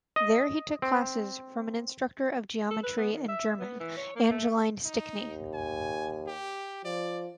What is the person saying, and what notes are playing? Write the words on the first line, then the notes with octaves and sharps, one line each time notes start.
There he took classes from an instructor of geometry and German, Angeline Stickney.
D#5
C4
A4
B4
B3
D#3
E5
B3
E3
C#5
A#3
A3
D#4
D#2
G#5
G4
F3 D5